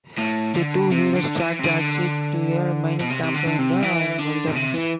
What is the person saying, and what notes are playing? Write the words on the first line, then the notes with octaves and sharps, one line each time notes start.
The two heroes track Drache to a mining camp in the wilderness.
A2
D3
C3
D3
E3
C3
D3
B2
C3
C3
D3
D3
C3
E3
D3
B2
C3
E3